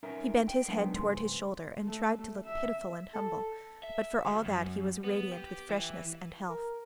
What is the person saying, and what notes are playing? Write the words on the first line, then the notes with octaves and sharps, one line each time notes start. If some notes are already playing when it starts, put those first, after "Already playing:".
He bent his head towards his shoulder and tried to look pitiful and humble, but for all that he was radiant with freshness and health.
C#4 D#4 A#4 E5 A#5
G5
F#3 G#3 A#3 B3 D4 D#4
C#2 G#2 G#3 C6
A3
E5
A4
E5
D2
F#2
B3
G4
E3
A#4